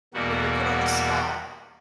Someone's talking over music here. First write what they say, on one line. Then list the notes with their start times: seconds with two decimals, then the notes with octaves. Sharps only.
When you're put on the spot
0.14 E2 B2 G3 A#3 F#4